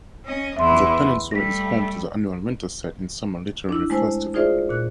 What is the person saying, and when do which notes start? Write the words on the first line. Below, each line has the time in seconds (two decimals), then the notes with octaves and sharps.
The peninsula is home to the annual Winterset in Summer Literary Festival.
0.25 C#4 D#5
0.57 E2 E3 E5 C6
1.31 G3 A3 A#6 B6
3.69 D4 E4
3.90 G#3 A3 E4 C5 G#5
4.34 D#4 F4 G#4 C5 D5 E5
4.69 A#2 F#6